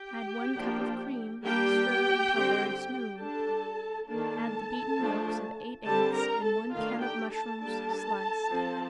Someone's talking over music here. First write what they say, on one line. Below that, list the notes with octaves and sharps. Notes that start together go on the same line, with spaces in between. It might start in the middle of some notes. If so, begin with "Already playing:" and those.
Add one cup of cream, stir until very smooth, add the beaten yolks of eight eggs and one can of mushrooms sliced.
Already playing: G4 G5
F3 A#3 D4
G3 A#3 D4 G4 G5
D3 G3 C4
G3 D4 A4 A5
D#3 A#3 D4 A4 A5
F3 A3 D4
D3 G3 C4 A4 A5
A#4 A#5
A4 A5
D#3 A3 D4 F4 F5
G4 G5
A4 A5
G3 A#3 D4 A4 A5
F3 C4